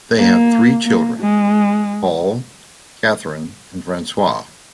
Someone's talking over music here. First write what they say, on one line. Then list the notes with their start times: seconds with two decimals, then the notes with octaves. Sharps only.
They have three children: Paul, Catherine and Francois.
0.19 A#3
0.86 A#3
1.20 G#3